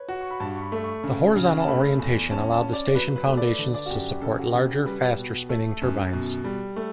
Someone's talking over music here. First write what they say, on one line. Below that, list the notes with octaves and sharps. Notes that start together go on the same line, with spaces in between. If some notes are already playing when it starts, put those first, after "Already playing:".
The horizontal orientation allowed the station foundations to support larger, faster spinning turbines.
Already playing: B4 C#5
F#4
C#6
B5
G2 A5
C#6
B5
A3
C#6
C#3
C#3
A5
A3 B5
E2
C#4 A5
A5
C#4
D5
F#3 B4
B4
A3
D5
D3
D5
F#4
F#2 G4
C#3 A4
G4
F#4
G4
C#3
G3 B4
B2
A3 A4
F#2
B2
G3
A3